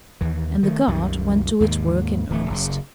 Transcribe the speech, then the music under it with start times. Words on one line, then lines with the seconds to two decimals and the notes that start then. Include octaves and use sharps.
And the Guard went to its work in earnest.
0.21 D#2 E3
0.63 D#3 A3
0.87 C2 F#2 C3 D#3
1.60 D#2 G#2 D#3 A#3
2.30 D1 D3 A3
2.50 F#1 C#3